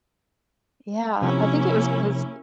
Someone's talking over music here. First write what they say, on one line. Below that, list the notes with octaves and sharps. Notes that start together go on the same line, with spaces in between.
Yeah, I think it was because, eh
C3 F3 A#3 C#4 E4